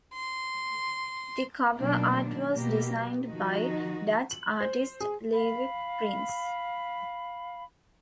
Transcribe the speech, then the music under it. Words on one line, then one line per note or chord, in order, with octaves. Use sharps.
The cover art was designed by Dutch artist Lieve Prins.
C6
B2 D#3 F#3 A#3 D4
B2 A#3 G4
D#3 F3 D#4 F#4
F#7
C5
G#4
F5 B5